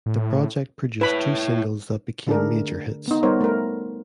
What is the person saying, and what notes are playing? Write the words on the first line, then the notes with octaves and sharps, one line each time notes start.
The project produced two singles that became major hits.
A2
E4 B4 C#5 B5
D3 A3 D4 G#4 A#4
B3 D#4
G3 B3 D#4 A#4 C5 C#5
A3 A#4